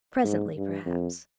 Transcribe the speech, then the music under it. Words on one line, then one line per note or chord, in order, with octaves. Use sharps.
Presently, perhaps.'
G#2
G2
F2